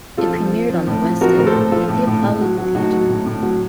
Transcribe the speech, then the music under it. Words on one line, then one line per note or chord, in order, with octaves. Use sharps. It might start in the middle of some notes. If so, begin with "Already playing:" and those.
It premiered on the West End at the Apollo Theatre.
F3 F4 A4
F3
F3
F3
A2
F3
F3 F#4 A#4
A2 A#4
A4 C5
A2
F3 F4 A4
A2
A2
A2
F#3
F#3
A2 D#4 F#4
F#3
A2
A2
F#3